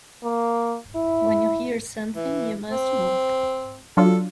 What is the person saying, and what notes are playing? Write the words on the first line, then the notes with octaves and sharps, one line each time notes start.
When you hear something, you must move.
A#3
E4
E3
C4
F#3 D4 F4 A4